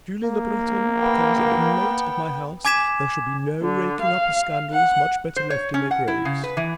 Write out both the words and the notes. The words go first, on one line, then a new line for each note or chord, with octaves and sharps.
If Julie Le Breton becomes an inmate of my house, there shall be no raking up of scandals much better left in their graves.
A#3
B3 G5
G#5 D6 G#6 B6 E7
D3
F5
F#5
C5
C#5
C#4
F#5
E4
C#3
B4
E3